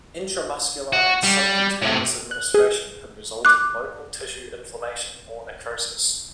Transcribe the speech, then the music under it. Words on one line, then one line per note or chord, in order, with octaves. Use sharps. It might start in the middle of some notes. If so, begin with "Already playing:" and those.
Intramuscular and subcutaneous administration could result in local tissue inflammation or necrosis.
F#4
G3
A2 C3
F#6
G#4
D6 F#6